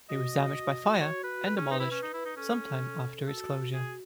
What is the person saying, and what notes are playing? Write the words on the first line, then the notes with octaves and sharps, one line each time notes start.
It was damaged by fire and demolished, some time after its closure.
F#4 D#5
F#4 C#5
F#4 B4
G#4 B4
C#4
D#4 B4
E4
C#4
D#4
E4
D#4
C#4 A4
F#4 A4
G#4